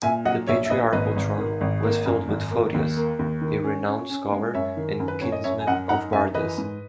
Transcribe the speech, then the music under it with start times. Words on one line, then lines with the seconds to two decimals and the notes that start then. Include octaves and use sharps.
The patriarchal throne was filled with Photius, a renowned scholar and kinsman of Bardas.
0.02 A#2 E5 G#5
0.25 F#3 D#5 F#5
0.47 A#1 C#5 E5
0.65 E5
0.70 A#1 B4 D#5
0.92 G#1 B4 D#5
1.16 G#1
1.38 D#3
1.61 G#1
1.83 A#3
2.06 F#2
2.28 G#1
2.51 A#3
2.74 D#2
2.97 A#3
3.19 D#2
3.41 D#3
3.64 C#4
3.87 C#4
4.10 C#4
4.32 G#3
4.54 F#2 C#5 E5
4.77 D#3
5.00 F#2
5.08 B4
5.21 F#2 C#5
5.32 D#5
5.44 F#2 C#5 E5
5.60 G#5
5.67 F#2 D#5 F#5
5.89 D#4 F#5 A#5
6.13 F#2 E5 G#5
6.35 E3 B4 D#5
6.58 G#2